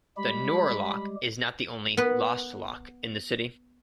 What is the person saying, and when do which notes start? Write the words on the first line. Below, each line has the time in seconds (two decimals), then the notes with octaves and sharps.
The Nor Loch is not the only "lost loch" in the city.
0.17 G3 G#3 G4 B5
1.97 B3 B4